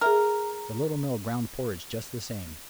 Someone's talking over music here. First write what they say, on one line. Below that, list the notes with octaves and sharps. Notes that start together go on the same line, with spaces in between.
The Little Mill ground porridge just the same.
G#4 A#4 E5 F6